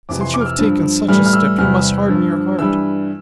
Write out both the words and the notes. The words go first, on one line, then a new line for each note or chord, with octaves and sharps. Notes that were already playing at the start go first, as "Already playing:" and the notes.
Since you have taken such a step, you must harden your heart.
F2 C3 E3 D6
C6
D6
F6
E6
G2 F3
A2 E3 G3 F6
F6
E6
E2 C3 G3 F6
G2 F3
G2 E3 G3 E6